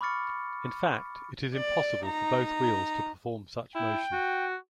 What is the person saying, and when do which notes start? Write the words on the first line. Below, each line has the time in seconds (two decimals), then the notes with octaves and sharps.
In fact, it is impossible for both wheels to perform such motion.
0.01 B5 C#6 D6 F6 A6 C#7
1.55 D5
2.05 D#4 A#5
3.75 E4 G5
4.12 F#4